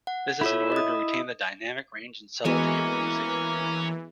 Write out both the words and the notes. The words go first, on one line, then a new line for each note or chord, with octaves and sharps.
This is in order to retain the dynamic range and subtlety of the music.
F#5
E4 F4 A4 C#5 E5
D#5 D#6
E3 G#3 A#3 B3 F#4 C#5 G#5